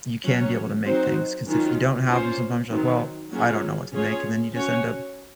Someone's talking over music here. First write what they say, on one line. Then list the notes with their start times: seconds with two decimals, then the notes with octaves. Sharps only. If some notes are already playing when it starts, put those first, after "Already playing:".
you can be able to make things, 'cause if you don't have 'em, sometimes you're like, well, I don't know what to make, and then you just end up
0.24 F#3 C#4 F#4 C#5
0.85 F#3 C4 D#4 F#4 C5
1.46 D#3 F#3 C#4 F4
2.08 A#3 C#4 F4 C5
2.69 D#3 F#3 C4
3.31 F#3 A#3 C#4 F4 G#4
3.92 C#4 F4 G#4 C#5
4.53 C#4 F#4 C#5